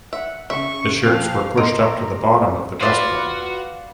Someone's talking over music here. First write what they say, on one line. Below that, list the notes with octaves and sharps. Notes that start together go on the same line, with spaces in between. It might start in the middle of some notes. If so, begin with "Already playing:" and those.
The shirts were pushed up to the bottom of the breastbone.
E5 F#5
C#3 E5 C#6
F2 F5 F7
A#3 D#4 A#5 C6 D7
F4 F#4 B4 D5 F5